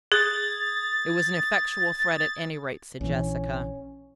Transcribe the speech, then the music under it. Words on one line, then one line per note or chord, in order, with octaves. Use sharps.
"It was an effectual threat at any rate," said Jessica.
G#4 D#6 G#6 A6
A#1 E3 C#4